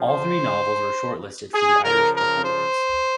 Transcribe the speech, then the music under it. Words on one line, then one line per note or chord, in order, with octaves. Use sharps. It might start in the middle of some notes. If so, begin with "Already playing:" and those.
All three novels were shortlisted for the Irish Book Awards.
Already playing: C#3 F3
C5
G#4
C#3 F3 A#4
A#4
C5